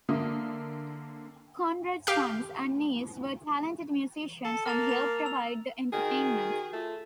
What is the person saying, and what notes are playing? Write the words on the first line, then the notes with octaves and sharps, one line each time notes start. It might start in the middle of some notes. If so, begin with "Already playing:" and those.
Conrad's sons and niece were talented musicians and helped provide the entertainment.
D3 A#3 E5 D#6
G4 F5
A4 A5
A#3 F6 A6 F7
A#5 F7
E6 F7
D#3 F#4 G#4
A3 F4